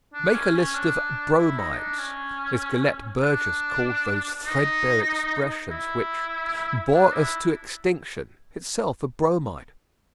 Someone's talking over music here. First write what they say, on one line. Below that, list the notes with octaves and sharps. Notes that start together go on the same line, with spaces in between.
Make a list of "Bromides," as Gellett Burgess calls those threadbare expressions which "bore us to extinction"--itself a Bromide.
D4
C#4
C#4
D4
E4
D#4
D4
C#4
D4
D#4
E4
D4
E4